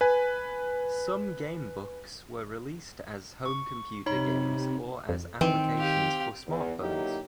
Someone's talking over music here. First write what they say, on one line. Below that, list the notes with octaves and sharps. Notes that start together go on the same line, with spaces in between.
Some gamebooks were released as home computer games or as applications for smartphones.
B4 G#5
C#6
C3 D#4 C#5 B5
F2
D#3 E3 C4
G4 F5
E2
D3 F#3 A#3 D#4 E4 G4